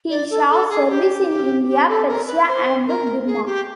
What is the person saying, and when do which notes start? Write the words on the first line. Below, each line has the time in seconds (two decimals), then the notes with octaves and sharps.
He saw service in India, Persia and Burma.
0.10 D5
0.30 A4
0.49 A4
0.69 G#4
0.89 G4
1.28 G4
1.68 G4
1.88 A4
2.08 A#4
2.27 B4
2.47 C5
2.87 A#4
3.26 G#4
3.46 G4